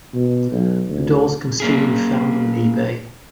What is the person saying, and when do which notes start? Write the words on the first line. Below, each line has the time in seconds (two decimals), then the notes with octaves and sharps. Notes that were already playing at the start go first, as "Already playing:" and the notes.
The dolls can still be found on eBay.
0.15 B2
0.51 B1
0.89 D2
1.60 A#3 C#4 G#4